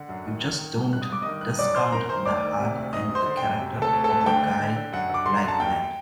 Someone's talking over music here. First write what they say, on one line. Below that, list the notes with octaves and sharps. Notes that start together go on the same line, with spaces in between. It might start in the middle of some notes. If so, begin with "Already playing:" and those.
You just don't discount the heart and the character of a guy like that.
Already playing: D3 F#5
F#2
D#3
D#3
D#3
G2
G2 F#6
D#6
G2 D6
D#3 D#5 D#6
G2 F#6
D#6
F#2 D5 D6
F#2 C5 C6
F#2 A#4 A#5
D#3 C5 C6
D2 D5 D6
D#3
C3
D2
F#2 D#5 D#6
D3
C5 C6
D3
G5
F#2
C3
D2
A4 A5
D2
A4 A5
D2
A5
D3 G5
D3
D3
D3
F#2 F#5
D3 D6
D3 C6
A#5
F#2
A5
D#2 G5